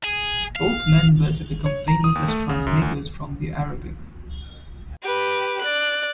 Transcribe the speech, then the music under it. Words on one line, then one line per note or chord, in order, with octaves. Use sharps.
Both men were to become famous as translators from the Arabic.
G#4
F5
C#5
A#5
D#6
D#2
A3
C#3
F#2
D2
G4 B4
D5 F#6